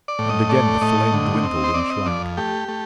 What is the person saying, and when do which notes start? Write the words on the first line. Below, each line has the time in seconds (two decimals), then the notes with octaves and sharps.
And again the flame dwindled and shrank.
0.08 D5
0.19 A2
0.29 D#5
0.49 A3 D5
0.81 A2 D#5
1.13 D3
1.43 C4
1.64 C5
1.74 C4 D5
1.90 D#5
2.06 F2 D5
2.37 A3 G4
2.68 A3